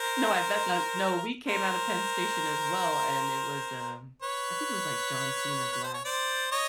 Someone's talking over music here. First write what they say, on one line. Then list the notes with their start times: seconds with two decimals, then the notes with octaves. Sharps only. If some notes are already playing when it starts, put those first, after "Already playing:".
No, I bet that no, we came out of Penn Station, as well, and it was, um I think it was, like, John Cena's last
Already playing: A#4 C5
1.48 A#4 C5
4.22 B4 C#5
5.73 B4
5.84 C5
5.94 C#5
6.05 C5 D5
6.51 C#5 D#5